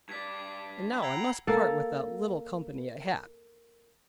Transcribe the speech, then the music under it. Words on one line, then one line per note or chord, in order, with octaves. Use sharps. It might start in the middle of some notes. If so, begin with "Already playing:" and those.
And now I must part with that little company I had.
G2 D5 G#6 B6
F#5 G5 A#5 B5 E6 G#6 C7
A#3 A4